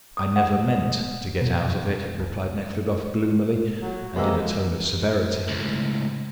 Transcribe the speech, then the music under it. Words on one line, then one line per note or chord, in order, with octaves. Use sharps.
"I never meant to get out of it," replied Nekhludoff, gloomily, and in a tone of severity.
D#6
F#5
B2
F#2
C#2
F#3
C3 G#3 A#3 B3 E6
C#2 A2